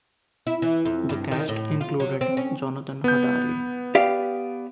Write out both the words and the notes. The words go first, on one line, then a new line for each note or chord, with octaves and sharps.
The cast included Jonathan Hadary.
E4
E3
F2
G2
D#3
A2
F4
F#3
C4
C#4
B3 G6
G4 D5 F5